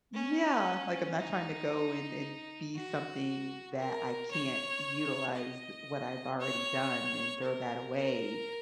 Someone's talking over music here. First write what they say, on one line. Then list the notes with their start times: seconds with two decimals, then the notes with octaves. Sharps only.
Yeah, like, I'm not tryna go and and be something that I can't utilized what I've already done and throw that away.
0.14 C#4
1.19 D#4
2.75 F#4
3.79 A#4
4.31 C#5
5.35 D#5
6.40 C#5
7.44 A#4
7.96 A#4